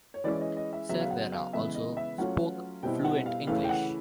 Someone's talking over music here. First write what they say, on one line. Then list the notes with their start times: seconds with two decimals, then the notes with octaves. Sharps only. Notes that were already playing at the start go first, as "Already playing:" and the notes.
Cervera also spoke fluent English.
0.14 C#5
0.24 E3 G#3 C#4 D5
0.41 D#5
0.57 D#5
0.73 E5
0.89 C#3 F#3 B3 E5
1.01 F5
1.10 F#5
1.32 F5
1.53 C#3 E3 G#3 B3 E5
1.75 D#5
1.97 E5
2.18 F#3 A3 C#4 F4 F#5
2.83 B2 G3 C4 E4 G5
3.04 F#5
3.26 F5
3.47 C#3 E3 A3 C#4 E4 F5
3.64 G5
3.69 F#5